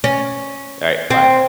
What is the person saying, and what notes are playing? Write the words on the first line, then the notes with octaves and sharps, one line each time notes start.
Alright, bye.
C#4
C4